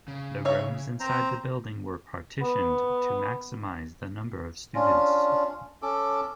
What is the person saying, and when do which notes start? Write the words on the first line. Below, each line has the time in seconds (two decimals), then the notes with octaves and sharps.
The rooms inside the building were partitioned to maximize the number of students.
0.08 C#3
0.45 C#5 E5 F5
1.00 C4 C5 A#5
2.41 B3
4.75 C#4 D4 F4
5.82 C#4 A4 D6